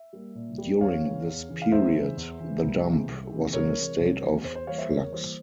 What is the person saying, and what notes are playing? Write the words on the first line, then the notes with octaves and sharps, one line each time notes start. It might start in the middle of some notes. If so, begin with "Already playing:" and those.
During this period, the dump was in a state of flux.
Already playing: E5
G3 A#3
A#2
G3 A#3
E2 C#5 F5
C#3 E3
E2
C#3 E3
F5
E2 C5 E5
C#3 E3
E2
C#3 E3
C2
C3 E3 G#3
C2
C3 E3 G#3
C2 A#4 C#5
C3 E3 G#3
C2
C3 E3 G#3
E2 C5
C5
E3 G3 A#3 C#5 F5
C5 E5
E2 A#4 C#5
E3 G3 A#3 C5